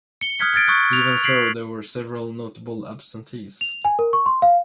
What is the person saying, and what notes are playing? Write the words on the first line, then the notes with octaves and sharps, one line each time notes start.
Even so, there were several notable absentees.
C#7 G7
D#6 F6 F#6 G#6 B6 C#7
F6 G#6 A6 D7
C#6 D#6 F#6
F7
G#6 B6 C7 D7 F#7
F7
G#5
A#4
C#6
C6
F5